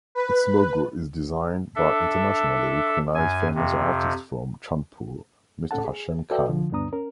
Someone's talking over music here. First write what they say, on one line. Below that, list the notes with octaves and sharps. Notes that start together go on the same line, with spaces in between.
Its logo is designed by internationally recognized famous artist from Chandpur, Mr. Hashem Khan.
B4
D4 A4 E5
F#2 G#5
F2 C3
A2 C#4 A4 F#5 A5
G#4
F#4 A4 B4 D5 E5 G5
D3 F3
D2 G2 B3 D4 A#5 D#6
C#4 A#4